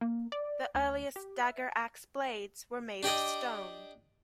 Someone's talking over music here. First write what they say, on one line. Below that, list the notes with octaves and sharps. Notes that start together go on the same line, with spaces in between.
The earliest dagger-axe blades were made of stone.
A#3
D5
D2
G4
E5
D4 G4 D5 D#5